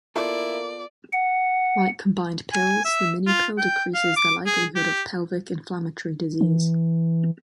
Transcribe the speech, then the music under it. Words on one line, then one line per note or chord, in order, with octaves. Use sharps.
Like combined pills, the minipill decreases the likelihood of pelvic inflammatory disease.
A#3 B3 E4 F4 A4 D5
F#5
G#5
E5
F4
G5
F5
D6
G#4
G4
E3